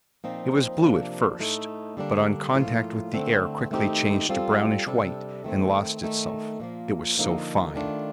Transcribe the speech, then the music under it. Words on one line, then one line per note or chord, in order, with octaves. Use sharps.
"It was blue at first but on contact with the air quickly changed to brownish-white and lost itself, it was so fine."
A#2 F3 C4 D#4
C3 F3 A#3 D4
A2 A3 D#4 A4
D3 G3 A#3 D4
A2 F3 A#3 F4
D3 A3 C4
D#3 A3 C4 D#4 G4
G3 C4 F4 A4
C3 G3 D4 A4
D#3 A3 C4
D#3 A3 D#4
A#2 F3 A#3
D3 F3 A#3 D#4 A4
D#3 A3 D4 F4